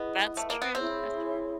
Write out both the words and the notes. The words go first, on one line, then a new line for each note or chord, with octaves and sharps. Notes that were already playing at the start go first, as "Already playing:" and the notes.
That's true. That's true.
Already playing: B3 E4 G#4 B4 D#5
A3
A#3
B3
C4 E4 G#4 C#5